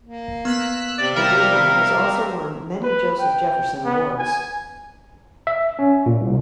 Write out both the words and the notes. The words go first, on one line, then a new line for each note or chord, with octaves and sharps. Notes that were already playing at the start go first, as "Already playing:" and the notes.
The Goodman has also won many Joseph Jefferson awards.
A#3
B3 E6 F#6 B6
C3 D5
G3 A#4 E5 F5
B4
G5
B3
G#5
E5
C#4
A#2
C2